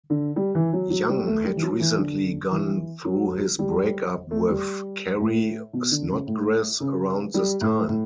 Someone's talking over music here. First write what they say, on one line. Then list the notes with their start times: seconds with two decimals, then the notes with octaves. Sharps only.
Young had recently gone through his breakup with Carrie Snodgress around this time.
0.10 D3
0.36 G3
0.55 E3
0.73 F#3
0.90 F#3
1.09 G3
1.27 A3
1.44 G3
1.56 E3
1.62 F#3
1.80 E3
1.98 D3
2.51 E3
3.05 F#3
3.59 G3
4.31 A3
4.49 G3
5.20 A2
5.73 B2
5.91 D3
6.09 C#3
6.27 A2
6.80 C#3
7.34 G3
7.61 A2
7.89 A2